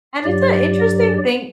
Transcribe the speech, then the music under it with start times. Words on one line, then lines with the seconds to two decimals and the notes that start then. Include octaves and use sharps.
and it's an interesting thing
0.24 G2 F#3 G4 D5